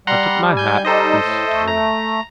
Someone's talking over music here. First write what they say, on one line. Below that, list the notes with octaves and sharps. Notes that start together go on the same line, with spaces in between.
I took my hat and staggered out.
G3 F#5 A#5 C6
G#5 G6
G3 D#4 A4 C5 D#5
A2
A3
A#5